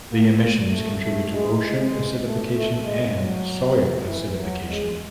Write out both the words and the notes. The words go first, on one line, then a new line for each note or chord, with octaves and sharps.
The emissions contribute to ocean acidification and soil acidification.
A#3
A3
A3
G#3
G#3
A3
A3
G#3
F#3
E3
F#3
G#3